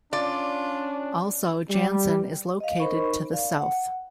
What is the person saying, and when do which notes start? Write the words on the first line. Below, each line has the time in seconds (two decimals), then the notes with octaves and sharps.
Also Janssen is located to the south.
0.13 C#4 D4 F4 D5
1.70 G3
2.60 D#5 F5
2.80 D#4 A#4 C5 D#5 B5 C#6
3.31 D5 F5
3.57 F#5